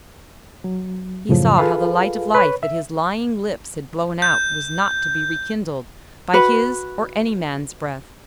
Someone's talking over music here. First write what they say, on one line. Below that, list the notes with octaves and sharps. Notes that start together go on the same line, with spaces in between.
He saw how the light of life that his lying lips had blown out was not to be rekindled by his or any man's breath.
F#3
F#2 A2 C#3 F3
F4 G#4 A4 B4 F5
B4 C#5
E5
G6
F#4 B4